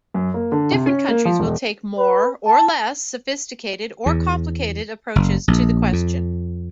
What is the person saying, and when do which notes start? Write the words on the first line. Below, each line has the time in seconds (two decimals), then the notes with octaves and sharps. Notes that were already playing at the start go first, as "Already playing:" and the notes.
Different countries will take more or less sophisticated, or complicated approaches to the question.
0.14 F#2
0.34 A#3
0.52 D3
0.72 C3
0.87 C#4
1.09 A#3
1.25 F3
1.40 E1
1.98 B4
2.46 A5
4.06 E2
5.16 F#1
5.48 A#1
5.93 F2